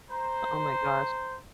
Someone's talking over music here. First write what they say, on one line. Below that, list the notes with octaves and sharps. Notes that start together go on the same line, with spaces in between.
Oh my gosh.
C5 A#5